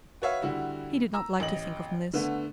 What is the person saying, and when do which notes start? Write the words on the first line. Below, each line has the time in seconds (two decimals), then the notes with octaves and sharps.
He did not like to think of Mliss.
0.22 F#4 B4 C#5 E5 F5
0.42 D3 G3 E4 F#4
1.14 A#5 E6
1.40 A1 D#5 F#7
2.14 D3 A3 B3